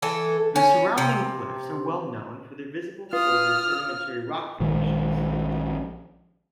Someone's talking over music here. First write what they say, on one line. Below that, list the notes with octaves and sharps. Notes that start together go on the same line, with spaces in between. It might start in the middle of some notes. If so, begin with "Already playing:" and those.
The surrounding cliffs are well known for their visible folded sedimentary rock formations.
E3 A3 A4
C#4
C3
F4 B4 D#6 F6
A#1 D#3 G#3